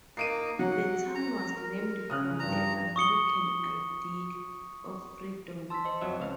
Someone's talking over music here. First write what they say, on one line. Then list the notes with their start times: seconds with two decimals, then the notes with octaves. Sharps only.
The town was named from the American ideal of freedom.
0.17 A#3 D#4 C7 D7 D#7
0.59 F#3 F#5
1.15 A#5
1.57 A#4
2.10 C#3 D#6 F6 F#6
2.39 G2 A#5
2.96 C#6 D#6 C#7 G7
5.70 A5 C6 E6 B6
5.84 C5 D#5 C6
6.01 F2 F#3 E5
6.20 C#2 F5